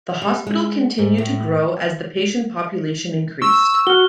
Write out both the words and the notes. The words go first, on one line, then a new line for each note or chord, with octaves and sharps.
The hospital continued to grow as the patient population increased.
G3
G#3
G#2
A2
C#6 E6
F#4 F6 G7